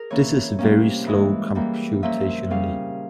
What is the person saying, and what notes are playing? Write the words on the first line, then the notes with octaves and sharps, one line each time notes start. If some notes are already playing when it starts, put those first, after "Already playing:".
This is very slow computationally.
Already playing: G#4 A#4
E3 A#3 C#4 C#5
C3 G3 A#3 C#4
E3 G#3 C#4
E3 G3 A#3
A#2 F3 A#3 C#4 E5
C#3 G3 C#4 F5